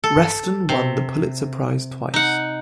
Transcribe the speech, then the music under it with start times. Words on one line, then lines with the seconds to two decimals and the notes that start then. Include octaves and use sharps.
Reston won the Pulitzer Prize twice.
0.04 A4
0.69 C3
2.14 D#4 F#5